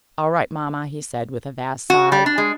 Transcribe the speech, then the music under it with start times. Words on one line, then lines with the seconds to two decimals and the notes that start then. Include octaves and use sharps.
"All right, mamma," he said, with a vast sigh.
1.90 F#4
2.12 G3
2.26 D4
2.38 G#3